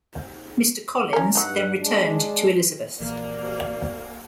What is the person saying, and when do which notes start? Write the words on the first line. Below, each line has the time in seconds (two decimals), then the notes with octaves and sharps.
Mr. Collins then returned to Elizabeth.
1.13 C#4 A#4
1.35 G2 F#3 D#4 F#5
1.79 G#3 D4
3.00 A#1 E3 A#3 D5